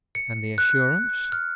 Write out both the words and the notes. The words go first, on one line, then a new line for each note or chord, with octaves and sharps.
And the assurance--?
C#7
F#6
F6